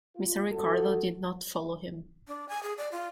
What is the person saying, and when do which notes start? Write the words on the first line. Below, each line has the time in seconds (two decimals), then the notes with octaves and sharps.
Mr. Ricardo did not follow him.
0.15 F4
0.51 F#2 F#4 A4
2.28 D4
2.49 G#5
2.63 G#4
2.78 D5
2.92 F4